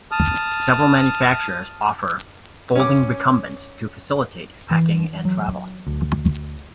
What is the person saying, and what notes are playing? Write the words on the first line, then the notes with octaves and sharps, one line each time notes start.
Several manufacturers offer folding recumbents to facilitate packing and travelling.
A5 D#6 F6
C#4 D6
E3
F#3
D2